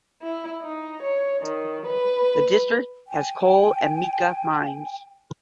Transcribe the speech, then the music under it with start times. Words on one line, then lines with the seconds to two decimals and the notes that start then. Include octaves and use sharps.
The district has coal and mica mines.
0.22 E4
0.62 D#4
1.02 C#5
1.42 D#3
1.86 B4
3.07 G5 G#5